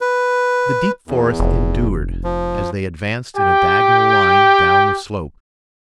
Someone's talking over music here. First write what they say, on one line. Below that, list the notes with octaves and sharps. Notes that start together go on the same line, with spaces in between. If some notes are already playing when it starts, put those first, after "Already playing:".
The deep forest endured as they advanced in a diagonal line down the slope.
B4
E2
F1
F3
G4 G5